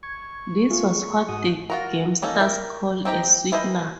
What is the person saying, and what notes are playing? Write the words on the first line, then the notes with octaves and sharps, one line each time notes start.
This was what the gamesters call a sweetener.
C#6 G#6
A3 F4 G#4
G#2 F#4 D#6
F4 F#4 A#4
A#3 C#4 D#4 A4
A#4 E5
C4 D#4 G4 A#5
E3 E4 A#4 C5 D#5